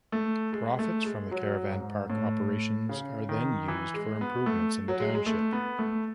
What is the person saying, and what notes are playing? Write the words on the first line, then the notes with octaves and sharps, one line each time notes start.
Profits from the caravan park operations are then used for improvements in the township.
A3
G#3
A3
G#3
F#3
G#2
A2
C#3
D#3
E3
G#3
B3
A3
F#3
G#3
G#3
A3
B3
A3